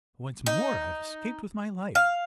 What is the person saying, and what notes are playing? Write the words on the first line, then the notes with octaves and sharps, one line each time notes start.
"Once more I have escaped with my life!"
D#4
F5